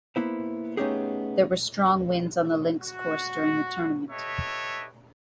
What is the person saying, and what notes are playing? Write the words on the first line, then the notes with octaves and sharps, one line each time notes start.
There were strong winds on the links course during the tournament.
A#3 B3 E4 C5
A3 B3 C#4 D#4 G4 G#4
F#4
G4 A4 B4 C#5 D#5 E5